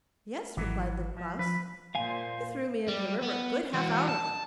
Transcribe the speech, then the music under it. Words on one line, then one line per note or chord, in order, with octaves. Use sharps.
'Yes,' replied Little Klaus; 'you threw me into the river a good half-hour ago!'
G#1 E3 F#3
F3
F3 B4
A#2 C5 F5 G#5
G3
B3
E3 F#4
A5